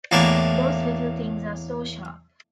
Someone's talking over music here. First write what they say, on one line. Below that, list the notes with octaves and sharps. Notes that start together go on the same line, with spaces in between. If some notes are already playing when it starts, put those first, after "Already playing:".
Those little things are so sharp!
E2 A2 A#3 D4 C#6